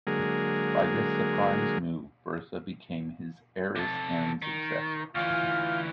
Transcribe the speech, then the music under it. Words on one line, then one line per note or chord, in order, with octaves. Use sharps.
By this surprise move Bertha became his heiress and successor.
D3 F#3 G#3 A#3 G#4 A#4
C3 A4
D#3
D2 E3 F4 F6 G6